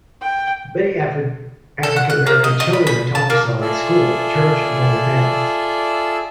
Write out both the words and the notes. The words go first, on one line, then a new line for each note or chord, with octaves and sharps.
Many African-American children are taught the song at school, church or by their families.
G5
A4
F#5
F#6
A#3
D#5
D#5
B5
B5
A5
A#3
F4 G#4 A4 D5 E5